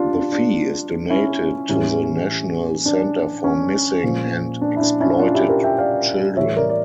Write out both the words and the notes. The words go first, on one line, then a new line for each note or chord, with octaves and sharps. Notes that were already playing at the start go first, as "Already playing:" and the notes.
The fee is donated to the National Center for Missing and Exploited Children.
Already playing: C#3 G3 D4 F4
D4
D4
C#4 E4
A2 E3 G3 C#4
D4
C#4
A#2 F3
D4
E4
D4
C#4 E4
D4 F4
E4 G4
G4 A#4
E5 G5
D5 F5
A2 E3 G3 C#5 E5
A#4 D5
D5